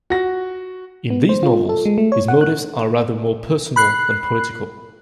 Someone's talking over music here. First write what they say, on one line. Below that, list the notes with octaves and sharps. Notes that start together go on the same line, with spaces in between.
In these novels, his motives are rather more personal than political.
F#4 A#6
B3
C5
F4
A4
G#3
A3
C#5
F#5
F#6
B5 F#6 C7